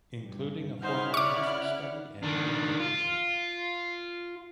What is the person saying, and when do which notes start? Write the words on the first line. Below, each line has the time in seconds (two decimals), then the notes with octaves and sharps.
Including a formal cost study and beautification.
0.24 G2
0.82 C#3 D#4 E4 C5 F#5 F6
1.14 D5 E5 F#5 C#6 D6
2.23 D#3 D4
2.80 F4